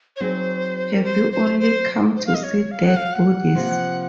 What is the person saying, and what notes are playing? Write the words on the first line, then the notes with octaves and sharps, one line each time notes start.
Have you only come to see dead bodies?
C#5
F#3 C4 D#4 G#4 C5
A#4
C5
C5
C5
C5
F5
D#5
C#5
F5
F#5
F5
F#5
C3 F3 A#3